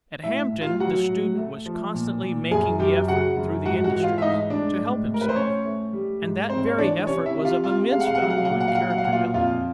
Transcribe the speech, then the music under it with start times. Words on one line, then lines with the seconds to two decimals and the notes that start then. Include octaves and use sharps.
At Hampton the student was constantly making the effort through the industries to help himself, and that very effort was of immense value in character-building.
0.24 A2 E4 E5
0.52 A2
0.61 F4 F5
0.80 F#3 F#4 F#5
1.09 A2
1.38 A3
1.66 F3
1.94 A#2
2.23 A#2
2.51 F#2 G#4 G#5
2.79 F#2 G4 G5
3.08 C#3 F#4 F#5
3.37 F#2
3.65 G#2 F#4 F#5
3.84 F#4 F#5
3.94 E3
4.03 F4 F5
4.18 E5
4.22 G#2 D#4 D#5
4.50 G#2 D4 D5
4.79 A2
5.08 A2
5.14 A#4
5.21 B4
5.29 C5
5.36 A2 C#4 C#5
5.65 A3
5.93 G3
6.22 G#2
6.50 G#2 C4 C5
6.67 C#5
6.78 E3 D4 D5
7.07 C3 C#4 C#5
7.26 E4 E5
7.36 C3
7.45 F4 F5
7.64 C3 F4 F5
7.92 G#3 F5
8.00 F#5
8.07 F5
8.15 F#5
8.21 F#3 F5
8.30 F#5
8.38 F5
8.45 F#5
8.49 A#2 F5
8.60 F#5
8.68 F5
8.75 F#5
8.78 F#3
8.83 F5
8.90 F#5
8.98 F5
9.05 A#2 F#5
9.13 F4 F5
9.34 F2 F4 F5